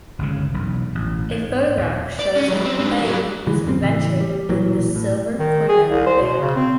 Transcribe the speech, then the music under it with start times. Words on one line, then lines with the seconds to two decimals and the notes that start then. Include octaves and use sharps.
A photograph shows him playing his invention in the Silver Cornet Band.
0.19 G1 C#2 C#3
0.54 E1 B1
0.95 A1
1.31 G#2
1.77 D#2 A#2
2.19 D5
2.35 C#4
2.48 F#3 G#3
2.64 C4
2.79 G#2 D4
3.02 F#3 A#3
3.47 D3 E3 G#3
3.65 G#1 F#2 C#3 C4
3.82 A2 C#3 E3
4.20 G3
4.49 B1 A#2 E3 F#3
4.96 A2
5.39 D#3
5.69 G#4
5.88 C2
6.06 C5
6.22 B2
6.40 C#3
6.56 C4